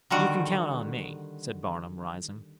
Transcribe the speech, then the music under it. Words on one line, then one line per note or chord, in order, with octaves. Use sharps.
"You can count on me," said Barnum, rising.
D3 D#3 G3 F#4 F#5